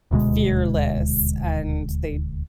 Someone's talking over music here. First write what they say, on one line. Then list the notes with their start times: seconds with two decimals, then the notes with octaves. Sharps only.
fearless, and they
0.11 D#1 D2 B2 G#3